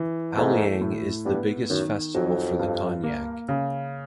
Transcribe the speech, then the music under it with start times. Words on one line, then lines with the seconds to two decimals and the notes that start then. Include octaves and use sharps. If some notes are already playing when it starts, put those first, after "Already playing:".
Aoleang is the biggest festival for the Konyak.
Already playing: E3
0.37 G#2 A3
0.81 A2
1.25 G2 B3
1.70 F#2 D#3
2.15 F2 F#3
2.59 G2
3.04 A#3
3.48 C#3